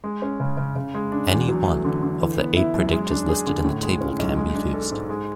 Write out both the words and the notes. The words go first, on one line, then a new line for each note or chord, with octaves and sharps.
Any one of the eight predictors listed in the table can be used.
G#3
C#4
C#3
C#3
C#3
G#3
D4
E2
F#3
A3
D3
D3
E3
B3
E4
F#2
G#3
D4
G#4
D3
A2
G#3
C#4
B1
G#3
D4
A4
G#2
G#3